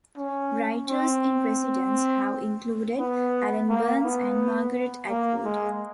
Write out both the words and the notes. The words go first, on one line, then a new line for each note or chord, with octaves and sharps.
Writers-in-residence have included Alan Burns and Margaret Attwood.
C#4
C4
B3
A#3
B3
A#3
G#3